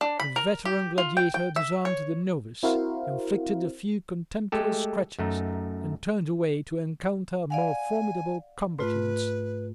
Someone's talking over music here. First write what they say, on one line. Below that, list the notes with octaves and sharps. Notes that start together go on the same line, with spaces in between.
The veteran gladiator disarmed the novice, inflicted a few contemptuous scratches, and turned away to encounter more formidable combatants.
D4
B5
A#4
G4
F4
G5
G5
E5
C#5
C4 E4 F#4 A#4 C5 F5
G#3 A3 G4 A4
F#2 A3 D#4
D5 F5 F#5 G#5
G#2 A3 F4 B4